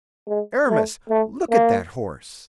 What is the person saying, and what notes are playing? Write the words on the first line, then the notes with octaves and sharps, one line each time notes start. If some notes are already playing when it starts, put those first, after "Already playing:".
"Aramis, look at that horse!"
G#3
A3
A3
A#3